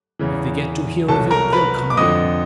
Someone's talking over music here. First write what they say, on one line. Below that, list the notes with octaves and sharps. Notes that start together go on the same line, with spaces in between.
If they get to hear of it they'll come along.
E2 C#3 E3
C2 B2 F#3 A4 A5
A#4 A#5
B4 B5
D6
F2 D3 F3 D#5 D#6